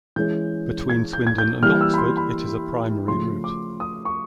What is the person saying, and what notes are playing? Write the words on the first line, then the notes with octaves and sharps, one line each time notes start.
Between Swindon and Oxford it is a primary route.
E3 G#3 C#4 G6
G#6
G6
G#6
G6
E3 G3 A#3 F6
E6
B5
C6
B5
C#3 F3 A3 C6
D6
D#6
C#6